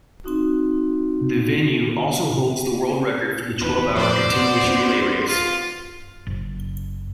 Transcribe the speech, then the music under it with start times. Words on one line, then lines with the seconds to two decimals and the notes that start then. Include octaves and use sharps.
The venue also holds the world record for the twelve-hour continuous relay race.
0.24 C4 D#4 F#4
3.61 E2 D#3 B4
3.97 F2 F3 C5 D5
4.30 B2 B3 C6
4.64 D2 C4
5.27 F4
6.27 F#1